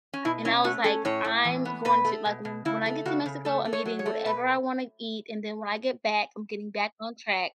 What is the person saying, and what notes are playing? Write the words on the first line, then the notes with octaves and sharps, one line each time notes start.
and I was like, "I'm going to, like, when I get to Mexico, I'm eating whatever I wanna eat, and then when I get back, I'm getting back on track."
C#4
B2 E4
C#4 E4
A3 F#4
C#4 A4
A2 C#5
A2
E3
B3
B2 B4
A3
B2
B2
C#3 E4
A3
C#3 F#4
C#3
A3 A4
A3
C#5
F#3
C#5
A3
B2 B4